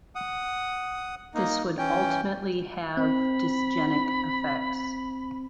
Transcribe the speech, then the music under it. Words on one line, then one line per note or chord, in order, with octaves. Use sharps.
This would ultimately have dysgenic effects.
F#5 D#6
A#3 D#4
E3 C#4 G5
C4 B5